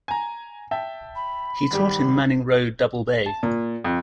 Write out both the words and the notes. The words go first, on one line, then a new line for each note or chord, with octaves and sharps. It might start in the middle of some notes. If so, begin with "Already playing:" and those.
He taught in Manning Road Double Bay.
G#5 A#5
E5 G5 A5
B5
G#1 G3 G4
A5
A#2
F2